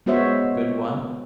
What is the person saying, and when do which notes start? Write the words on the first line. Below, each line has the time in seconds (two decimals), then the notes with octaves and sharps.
A good one?
0.06 G#3 B3 F#4 C5 C#5 E5